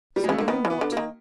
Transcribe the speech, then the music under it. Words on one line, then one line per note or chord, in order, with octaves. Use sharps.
"Certainly not."
G3
G#3
C#3 A3
D3 A#3
D#3 B3
E3
B3
D3
A#3
D#3